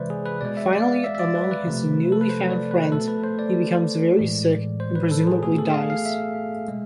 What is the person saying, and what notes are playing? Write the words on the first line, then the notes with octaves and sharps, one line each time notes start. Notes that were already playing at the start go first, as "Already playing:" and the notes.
Finally, among his newly found friends he becomes very sick and presumably dies.
Already playing: C3 E3 G#3 B4 C5 D5 E5
G#4
B4
B2 G#3 D5
E5
D5
F5
E5
E5
D5
B4
B4
C3 F3 A3
A4
B4
C5
D5
B4
B2 A3 A4
B4
C5
D5
A2 E3 G#3
C5
B4
A4
G#4
B2 A3 G#4
A4
F5
F5
E5
G#3